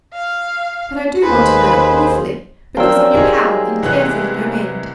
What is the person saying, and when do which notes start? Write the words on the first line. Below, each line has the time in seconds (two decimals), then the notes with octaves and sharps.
'But I do want to know, awfully, because I'm your pal, and care for you no end.
0.14 F5
1.22 D#2 G#4 B4 C5
2.77 F3 F#3 D4 A#4 C5 F5 G5 E6
3.15 D#4 G4 G#4 D#5 G#5 D6
3.83 C2 E3 F#6